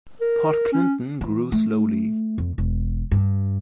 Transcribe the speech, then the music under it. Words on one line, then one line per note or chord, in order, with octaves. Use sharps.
Port Clinton grew slowly.
A#4
C#4
E3
A3
F2
E1
G2